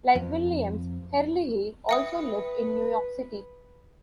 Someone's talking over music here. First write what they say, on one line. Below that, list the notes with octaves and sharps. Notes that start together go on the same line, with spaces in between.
Like Williams, Herlihy also lived in New York City.
F2
B4 E5 G5 D#6